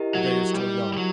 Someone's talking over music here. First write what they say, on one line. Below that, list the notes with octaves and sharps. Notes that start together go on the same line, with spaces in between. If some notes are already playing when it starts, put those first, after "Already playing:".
The day is still young.
Already playing: E4 G4 A#4 D#5
F#3
G3
G3
F#3